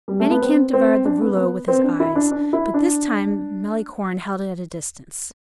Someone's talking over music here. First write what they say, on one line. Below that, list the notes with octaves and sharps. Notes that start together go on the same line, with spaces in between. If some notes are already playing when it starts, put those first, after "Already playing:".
Manicamp devoured the rouleau with his eyes; but this time Malicorne held it at a distance.
G3
A3
B3
C4
C4
D4
B3
B3
C4
D4
E4
D4
D4
E4
D4